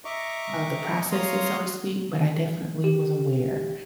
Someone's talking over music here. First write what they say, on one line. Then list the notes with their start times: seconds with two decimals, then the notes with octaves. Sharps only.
uh, the processes, so to speak, but I definitely was aware,
0.05 D#5 E5 A#5 C#6 D6
1.12 C#5 F5 A#5 C6 D#6
2.84 G4